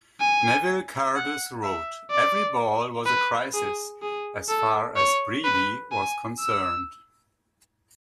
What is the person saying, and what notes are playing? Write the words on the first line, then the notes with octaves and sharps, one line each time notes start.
Neville Cardus wrote "Every ball was a crisis as far as Brealey was concerned".
G#5
F#5
E5
D5
B4
G#4
G#4
A4
C#5
B4
G#5
E6